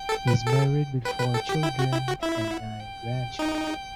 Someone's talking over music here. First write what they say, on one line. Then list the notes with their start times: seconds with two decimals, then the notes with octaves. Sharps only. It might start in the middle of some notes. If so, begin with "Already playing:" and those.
He is married with four children and nine grandchildren.
Already playing: G5
0.09 A4
0.28 B4
0.47 A4
1.05 B4 G5
1.19 B4
1.34 A4
1.49 G4
1.63 E4
1.79 F#4
1.93 E4
2.08 F#4
2.22 E4 E5
2.51 F#5
2.80 G5
3.39 D#4